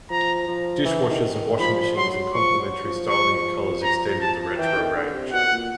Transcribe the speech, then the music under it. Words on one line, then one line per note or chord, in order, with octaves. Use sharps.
Dishwashers and washing machines in complementary styling and colours extended the retro range.
F3 A#5
F3
E3
D#3
D#3
F3 B5
F#3 C6
F3 C#6
F#3
F3
C#6
A#5
A5
E3 G5
D#3
D3
C3
B2 F#5
B2
A#2